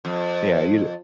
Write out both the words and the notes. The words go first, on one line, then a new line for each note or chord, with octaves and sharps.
Yeah, you d
F2